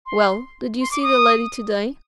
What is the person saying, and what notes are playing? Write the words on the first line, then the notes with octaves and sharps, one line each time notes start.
Well, did you see the lady to-day?
C6
C6
D6
D#6